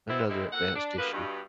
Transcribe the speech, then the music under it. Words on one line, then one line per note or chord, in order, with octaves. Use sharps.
another advanced issue,
B3 C4 E4
D3 G3 G#3 C4 E4
F2 A#3 A4 F#5
D4
D3 G3 A#3 B3 F#4 B4
G2 B2